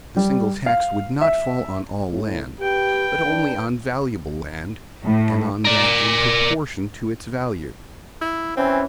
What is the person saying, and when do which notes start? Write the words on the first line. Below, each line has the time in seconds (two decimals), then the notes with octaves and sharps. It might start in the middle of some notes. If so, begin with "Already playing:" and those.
The single tax would not fall on all land, but only on valuable land, and on that in proportion to its value.
0.17 G3
0.66 F5
1.21 E5
2.12 A2
2.60 G4 B4 G5
3.26 D4
5.04 A2
5.65 A#4 D5
8.21 E4
8.57 E3 C4 C#4